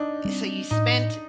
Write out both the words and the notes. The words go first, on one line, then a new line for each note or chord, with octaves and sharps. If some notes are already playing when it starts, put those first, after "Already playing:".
so you spent
Already playing: D4 D#4
G3 C4
A2 D#4